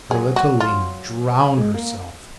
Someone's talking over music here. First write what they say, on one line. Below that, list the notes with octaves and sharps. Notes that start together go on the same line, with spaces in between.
Her little Lena drown herself!
F#3 G#4
F#4
F4
G#3
A#3